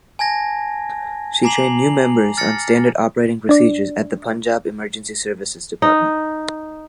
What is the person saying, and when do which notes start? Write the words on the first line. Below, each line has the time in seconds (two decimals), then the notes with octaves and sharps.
She trained new members on standard operating procedures at the Punjab Emergency services Department.
0.19 G#5 A5 G#6 A#6
1.43 G#5 A#5 D6 C7 F7 F#7
2.37 F6 A6 A#6 C#7
3.49 D4 D5
5.82 D#4